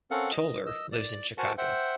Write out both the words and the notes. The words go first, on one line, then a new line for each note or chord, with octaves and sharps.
Toler lives in Chicago.
C4 C#4 A4 A#4 F5 F#5
D#5
D#5 E6
D5
F#4 A#4 C5 F#5 G#5 A5
C5 E5 F#5 G5